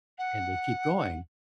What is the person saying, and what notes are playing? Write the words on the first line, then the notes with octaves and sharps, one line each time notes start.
and they keep going,
F#5